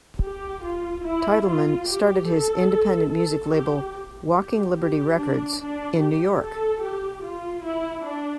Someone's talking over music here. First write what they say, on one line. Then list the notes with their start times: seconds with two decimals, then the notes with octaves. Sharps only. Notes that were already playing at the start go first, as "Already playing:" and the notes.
Titelman started his independent music label Walking Liberty Records in New York.
0.22 G4
0.63 F4
1.04 E4
1.45 F4
1.87 G4
2.28 A4
3.11 A4
3.52 G4
4.34 G4
4.75 G4
5.16 D4
5.58 D4
5.99 G4
6.41 A4
6.82 G4
7.23 F4
7.64 E4
8.05 D4